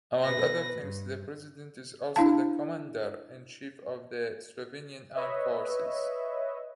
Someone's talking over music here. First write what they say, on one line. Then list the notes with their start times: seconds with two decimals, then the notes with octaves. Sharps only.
Among other things the President is also the Commander-in-Chief of the Slovenian Armed Forces.
0.23 B2 B4 A#6
0.79 G2
2.16 D4 E4 F5 A5
5.13 B4 C#5 D#5 E5